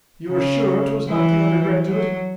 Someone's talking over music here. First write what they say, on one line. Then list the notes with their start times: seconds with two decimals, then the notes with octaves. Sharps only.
"You are sure 'twas not the undergraduate?"
0.29 C#3
1.09 E3
1.88 F#3